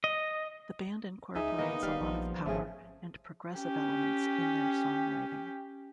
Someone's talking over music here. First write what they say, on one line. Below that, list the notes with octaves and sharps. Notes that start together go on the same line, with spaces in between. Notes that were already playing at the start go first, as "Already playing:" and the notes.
The band incorporates a lot of power and progressive elements in their songwriting.
D#5
C#2 D#4 G#4 E5
D#3 A#3 B3 D#5
D1 G3 F5
A#1 F3
G#1 C#3 F3 A3 G#4
C#4 G4